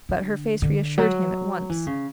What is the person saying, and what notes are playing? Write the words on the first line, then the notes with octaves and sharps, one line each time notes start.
But her face reassured him at once.
D3
D3
F#3
E3
C#3